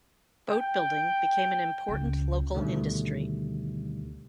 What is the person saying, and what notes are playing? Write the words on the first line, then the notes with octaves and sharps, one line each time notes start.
Boat building became an important local industry.
G5
C#2
D2 B2 D3 D#3 G3 A3